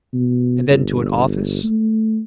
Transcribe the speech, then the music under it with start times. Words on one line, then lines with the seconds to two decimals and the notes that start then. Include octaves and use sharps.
"And then to an office?"
0.13 B2
0.70 G1
1.64 A3